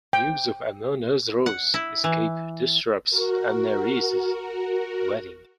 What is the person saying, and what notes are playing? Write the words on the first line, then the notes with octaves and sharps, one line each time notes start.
News of Amonasro's escape disrupts Amneris' wedding.
G5
F#5
E4
E3
F#4 A#4